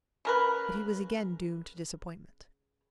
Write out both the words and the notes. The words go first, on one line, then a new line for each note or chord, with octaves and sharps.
But he was again doomed to disappointment.
C#3 A#4 B4